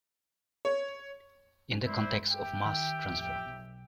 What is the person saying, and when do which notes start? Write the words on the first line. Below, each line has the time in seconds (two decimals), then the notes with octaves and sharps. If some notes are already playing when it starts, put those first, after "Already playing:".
In the context of mass transfer.
0.65 C#5
1.85 G2 G#3 D4 E4 C5
2.26 G4 E5 G5
2.65 D#3
3.10 A1 F2
3.45 B1